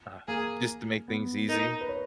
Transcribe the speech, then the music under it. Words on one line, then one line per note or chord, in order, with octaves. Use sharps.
Uh-huh, just to make things easy.
A#3 G#4
B3
D#4 A#4
B4
C#5